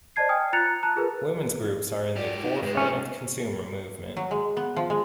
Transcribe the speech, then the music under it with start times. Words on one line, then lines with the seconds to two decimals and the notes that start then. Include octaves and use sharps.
Women's groups are in the forefront of the consumer movement.
0.16 C5 D5 D#5 A5 G#6 C7
0.29 G5 G#5 D#6 F6
0.53 F4 A#5 F#6 A6 C#7 F7
0.83 A5 A#5 F#6
0.96 F4 G#4 A#4 B4
2.16 F4 G4 D5
2.43 D#4
2.63 G#2 G#3 B4
2.77 A3 C#4 F4 G#4
4.17 F#3
4.31 G#3
4.57 B3
4.76 F3
4.90 G#3